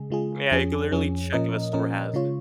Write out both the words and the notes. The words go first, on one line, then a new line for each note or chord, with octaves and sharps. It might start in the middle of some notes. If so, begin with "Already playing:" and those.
Yeah, you can literally check if a store has it.
Already playing: C#3 G#3 G#4
C#3 G#3 F4 G#4
F2 F3 C#4 G#4
F2 F3 C#4 G#4
A#2 F3 C#4 A#4 D#5
A#2 F3 C#4 A#4 D#5
C#3 G#3 F4 C#5